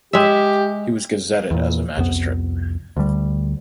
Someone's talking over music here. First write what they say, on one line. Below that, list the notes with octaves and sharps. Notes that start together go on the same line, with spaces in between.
He was gazetted as a magistrate.
G#3 G4 E5
E2 A#2
C2 F2 B3
D2 G3